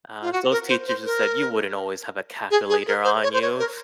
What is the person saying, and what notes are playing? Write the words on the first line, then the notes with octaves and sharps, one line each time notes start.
Uh, those teachers just said, "You wouldn't always have a calculator on you."
F4
F#4
A#4
C5
C5
A#4
G#4
G#4
A#4
C5
C#5
C5
C#5
A#4